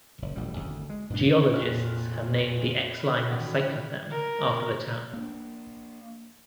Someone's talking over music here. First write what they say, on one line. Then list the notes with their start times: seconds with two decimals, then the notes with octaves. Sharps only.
Geologists have named the Exline cyclothem after the town.
0.22 F#1
0.36 E1 A1 B2 G3
0.57 G#1 D2
0.90 G#3
1.10 G2 A#2 D4
1.54 F1 A#2 F6 F#6
2.87 B5 F6
3.29 A1 D#3 F#4
4.10 A#4
5.13 A#3 D4